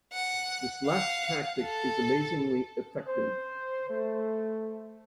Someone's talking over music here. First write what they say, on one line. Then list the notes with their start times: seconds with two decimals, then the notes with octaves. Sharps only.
This last tactic is amazingly effective.
0.13 F#5
0.86 F5 F#5
1.62 A4
3.08 C5
3.89 A3